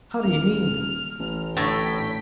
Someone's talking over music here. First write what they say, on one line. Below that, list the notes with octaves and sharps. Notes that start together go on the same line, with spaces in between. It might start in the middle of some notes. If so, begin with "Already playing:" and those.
"How do you mean?"
D#1 F6
A1
A2 D3 A3 G5 B6